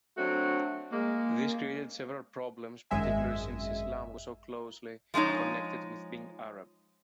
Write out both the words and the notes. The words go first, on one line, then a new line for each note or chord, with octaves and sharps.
This created several problems, particularly since Islam was so closely connected with being Arab.
F#3 A3 C4 D4 F#4
G#3 A#3
G#1 F#2 G#3 E5 G#5
F3 G#3 C#4 D#4 C#5